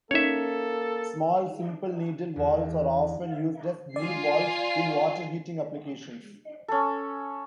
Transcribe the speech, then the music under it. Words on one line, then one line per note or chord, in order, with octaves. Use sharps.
Small, simple needle valves are often used as bleed valves in water-heating applications.
A#3 C#4 D#4 A4 C#5 E5
E2
F4 D5 G#5 C7
C#4 A4